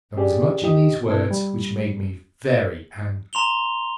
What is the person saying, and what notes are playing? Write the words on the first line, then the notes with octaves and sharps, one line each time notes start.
There was much in these words which made me very angry.
C#4 G4 G#4 D5
D#2 D#4 G4 D#5
B2 C4 E4 A4 G#6
G3
A#5 C6 F7 G7